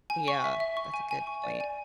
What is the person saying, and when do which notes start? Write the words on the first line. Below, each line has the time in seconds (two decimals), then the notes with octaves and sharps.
Yeah, that's a good point.
0.10 G#5
0.28 C#6
0.44 E5
0.60 E5
0.77 C#6
0.94 G#5
1.11 G#5
1.27 C#6
1.44 D5
1.60 G#5